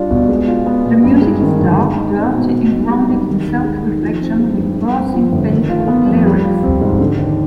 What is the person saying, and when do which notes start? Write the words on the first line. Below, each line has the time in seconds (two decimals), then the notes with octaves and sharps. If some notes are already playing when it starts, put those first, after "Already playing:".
The music is dark, dirty, and grounded in self-reflection, with piercing, painful lyrics.
Already playing: G3 D4 F4
0.10 B2
0.29 G#3
0.48 F4
0.66 B3
0.85 B2
1.04 G2
1.22 G#3
1.41 D#3
1.59 G1
1.78 G#3
1.97 D#4
2.16 C4
2.34 B2
2.52 B2
2.72 B1
2.90 G3
3.09 B1
3.28 D#3
3.46 D#2
3.64 G#3
3.83 D#2
4.02 F3
4.21 C4
4.39 G#3
4.58 G2
4.77 G2
4.95 C4
5.14 F3
5.32 G1
5.51 D#3
5.69 F4
5.88 B3
6.06 F2
6.25 G3
6.44 F4
6.63 C4
6.81 G#2
7.00 D3
7.19 D#2